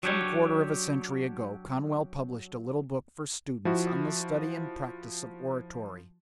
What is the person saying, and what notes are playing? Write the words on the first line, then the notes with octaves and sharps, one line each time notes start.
Some quarter of a century ago Conwell published a little book for students on the study and practice of oratory.
F#3 D4 G4 C#5
F3 E4 F#4